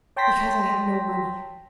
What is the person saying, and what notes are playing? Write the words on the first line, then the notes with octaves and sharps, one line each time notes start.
"Because I have no money."
C#5 G5 A5 C6 A#6 B6